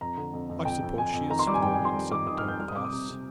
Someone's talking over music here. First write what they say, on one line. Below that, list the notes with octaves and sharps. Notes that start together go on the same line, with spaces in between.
'I suppose she is flurried,' said Madame Voss.
F2 A#5
D3
F2
F2
F2 G5
F2
F2 G#5
F2
D#3 A#5
C6
G3 D6
G#5
F2 G5
G#5
F2
C6
G3
D#3 D6
D#3 D#6
F6
F2 G6
G3 F6
D#6
C3 D6
D#6
C3
C3